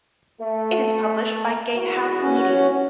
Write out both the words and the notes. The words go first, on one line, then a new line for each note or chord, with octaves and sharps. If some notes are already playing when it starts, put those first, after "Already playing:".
It is published by GateHouse Media.
A3
G#1 E2 F#4
C#4